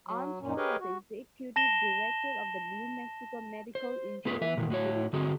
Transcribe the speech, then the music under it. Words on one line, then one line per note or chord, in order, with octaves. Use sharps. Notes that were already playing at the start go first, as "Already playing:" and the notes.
Armstrong was executive director of the New Mexico Medical Insurance Pool.
F#3
F#2 A#2 C#4
G4 G#4 A#4 B4 C#5 D#5
F#4
A5 A#6 E7 G7
C5
A3 B3 F4 G#4 B4
E3 E5
A#2 D#3 E3
A2 F#4 C#5
D3 C4 F#4 G#4